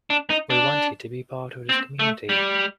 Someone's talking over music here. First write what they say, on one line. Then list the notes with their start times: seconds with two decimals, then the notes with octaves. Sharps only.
We want you to be part of this community.
0.10 D4
0.30 D#4
0.50 D4
1.69 C4
1.99 A3
2.29 G3